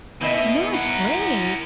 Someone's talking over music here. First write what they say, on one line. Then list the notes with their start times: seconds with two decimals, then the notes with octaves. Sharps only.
No, it's great.
0.21 B2 D#3 E4 D#5
0.73 A#4 F#5